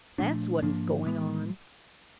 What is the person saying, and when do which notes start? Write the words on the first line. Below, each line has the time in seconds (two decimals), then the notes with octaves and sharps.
That's what is going on!
0.18 A#2 F3 A3 D4
0.62 G#2 F3 A#3 D4
1.06 A2 E3 G#3 B3